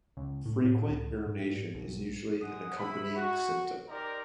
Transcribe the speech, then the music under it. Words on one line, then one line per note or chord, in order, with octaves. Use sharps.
Frequent urination is usually an accompanying symptom.
C#2
A2
A2
C#2
G#2
B1
G#3 F#5 D#6
E4 B5
F#4
D#4 G4 A#4 C5 D5 A#5